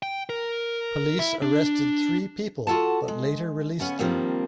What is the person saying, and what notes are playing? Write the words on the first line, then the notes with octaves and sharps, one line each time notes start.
Police arrested three people, but later released them.
G5
A#4
E4
D4
F4 F#4 A4 F#5 A5
G#3
C#3 B3 C#4
D#3 F3 G3 A#3 C4 D4